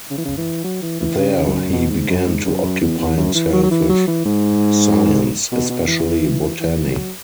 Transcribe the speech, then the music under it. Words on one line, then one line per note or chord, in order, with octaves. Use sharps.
There he began to occupy himself with Science, especially botany.
C#3
E3
C#3
E3
F#3
E3
E3
C#3
F#2
B2
G#2
F#2
G#2
F#2
F#2
E2
E2
F#2
E3
F#3
F#3
E3
F#3
E3
G#2
B2
B2
E3
E3
E3
F#3